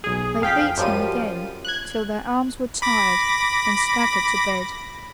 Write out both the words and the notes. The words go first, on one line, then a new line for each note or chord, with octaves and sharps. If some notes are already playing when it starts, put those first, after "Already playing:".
They beat him again, till their arms were tired, and staggered to bed.
B1 G#4
F2 F5 G5 B6
F#2 F3 G3 D#7
F#6 G#6
B5 D6 A#6